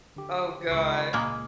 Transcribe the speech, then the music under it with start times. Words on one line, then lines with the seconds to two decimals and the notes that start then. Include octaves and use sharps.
Oh, god.
0.16 D3 G4
0.69 C#2 B5 C#6 C7
1.13 A#2 G#3 A#3